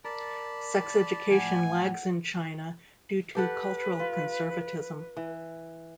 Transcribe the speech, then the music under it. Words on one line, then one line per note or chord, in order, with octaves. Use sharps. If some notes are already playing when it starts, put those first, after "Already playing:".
Sex education lags in China due to cultural conservatism.
A#4 D5 A5 B5
A2 F3 F#5 G#5
G4 A4 B4 F#5
F4
E3